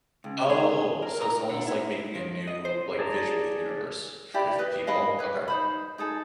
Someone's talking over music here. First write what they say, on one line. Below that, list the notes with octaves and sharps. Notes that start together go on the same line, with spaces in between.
Oh, so, it's almost like making a new, like, visual universe for different people? Okay.
C#2
G#4
A#4
A#5
D3
E4
F3
D#5
C5
G#4 D5 A5 A#5
E4 G4 D5 B5
B4 D#5
G#4 D#5 F5 B5
B4 C#5
D#4 C5 B5
D#4 G#4 A4